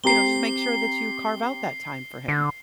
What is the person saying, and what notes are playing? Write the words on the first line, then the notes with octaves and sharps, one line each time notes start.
you know, just make sure that you carve out that time for him.
C4 G4 A#5 C7 G7
D3